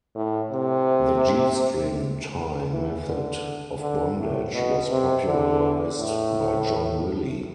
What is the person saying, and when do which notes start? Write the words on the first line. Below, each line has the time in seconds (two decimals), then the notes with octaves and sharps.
The g-string tie method of bondage was popularised by John Willie.
0.15 A2
0.52 C3
2.71 E3
3.07 D3
3.80 D3
4.18 A2
4.54 B2
4.91 C3
5.27 D3
5.99 A2